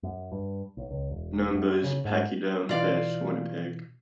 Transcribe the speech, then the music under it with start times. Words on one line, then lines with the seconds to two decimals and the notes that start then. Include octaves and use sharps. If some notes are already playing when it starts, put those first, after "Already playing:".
"Numbers" Pachyderm Press, Winnipeg.
0.03 F#2
0.32 G2
0.77 B1
0.90 C#2
1.10 E1
1.54 F#2
1.84 C#3
2.05 G#2
2.69 B2 E3 F4 D5 F5